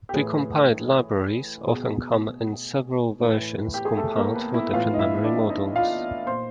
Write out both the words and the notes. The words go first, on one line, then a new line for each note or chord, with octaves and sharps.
Precompiled libraries often come in several versions compiled for different memory models.
G4
A2 E3 G#4
B2 G#4
A2 E3
G4
G#4
A3 A4
A#3 A#4
B3 B4
E4 E5
A2 E3 F4 F5
D#5
E4 E5
D4 D5
D#4 D#5
F4 F5
A#2 C5 C6